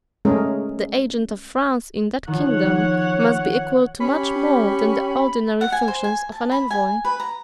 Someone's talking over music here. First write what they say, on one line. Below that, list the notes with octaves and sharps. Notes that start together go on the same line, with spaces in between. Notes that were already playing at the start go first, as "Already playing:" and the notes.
The agent of France in that kingdom must be equal to much more than the ordinary functions of an envoy.
G#3 A3 C#4 G#4 A#4
D#3 F3 C#5 F#5
C#4 G4 B5
F#5
G#5
C5
G#5
A5
B5
G#5
B4
A#5